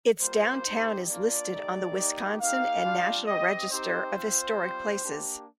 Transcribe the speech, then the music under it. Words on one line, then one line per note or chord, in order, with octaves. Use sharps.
Its downtown is listed on the Wisconsin and National Register of Historic Places.
G3 A#3 F4 C5
C4 D#4 G4
A#3 D4 F4 D5
A3 D#4 G4
A#3 D#4 G4
A#3 D#4 G4 F5
G3 D4 F4
C4 G4 D#5
C4 D#4 G4 C5
C4 F4
G3 C4 F4
A#3 D4 G4